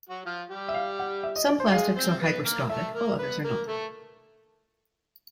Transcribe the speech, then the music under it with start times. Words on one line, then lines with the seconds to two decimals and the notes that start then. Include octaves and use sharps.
Some plastics are hygroscopic while others are not.
0.09 F#3 F#4
0.26 F3 F4
0.50 G3 G4
0.68 E5
0.74 F5
0.99 F#5
1.23 E5
1.36 D#5
1.48 D5
1.60 C5
1.72 G#3 G#4 F5
1.96 C4 C5
2.22 B3 B4
2.45 A#3 A#4
2.70 A3 A4 E5
2.95 A#3 A#4
3.18 B3 B4
3.44 A#3 A#4
3.67 A3 A4